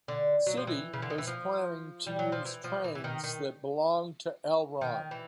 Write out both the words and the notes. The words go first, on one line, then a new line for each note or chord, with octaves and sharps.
City is planning to use trains that belong to Elron.
D3
F#3
F3
E3
C#3
D3
D#3
E3
F3
G3
F#3
F3
E3
F3
E3
E3
D#3
D#3
D#3
E3